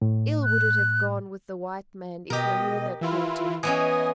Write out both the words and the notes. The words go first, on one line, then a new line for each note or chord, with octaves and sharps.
Ill would it have gone with the white man if Nahoon had caught him.
A2
F#6
B2 G4 A#4 D#5
E3 E4 F4
E3 B3 C#4 D#5 G#5 D#6